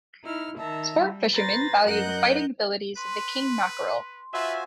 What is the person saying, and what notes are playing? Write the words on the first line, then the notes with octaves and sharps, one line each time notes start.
Sport fishermen value the fighting abilities of the king mackerel.
D#4 E4 F6
D#3 E5 A5 A#5
G3
B4 C5 A#5 A6 A#6
F#2 A#4 D#5 F#5 F#6 G6
B4 C6
F4 F#4 B4 C5 E5 G#5